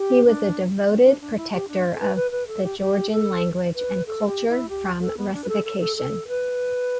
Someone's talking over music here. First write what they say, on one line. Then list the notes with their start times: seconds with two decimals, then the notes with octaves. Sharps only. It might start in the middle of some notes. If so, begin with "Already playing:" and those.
He was a devoted protector of the Georgian language and culture from Russification.
Already playing: G4
0.25 D4
0.89 B3
1.04 D4
1.20 D4
1.36 E4
1.51 G4
1.68 D4
1.94 A4
2.00 B4
2.15 B4
2.31 B4
2.47 A4
2.63 G4
2.78 G4
3.11 A4
3.74 B4
4.06 A4
4.27 G4
4.48 E4
4.69 G4
5.01 A4
5.17 B3
5.33 D4
5.44 B4
5.48 A4
5.64 A4
5.80 A4
5.96 A4
6.27 B4